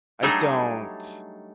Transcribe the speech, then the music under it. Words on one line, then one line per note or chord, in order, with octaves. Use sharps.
I don't.
F#3 G3 A3 D4 D#4 G#4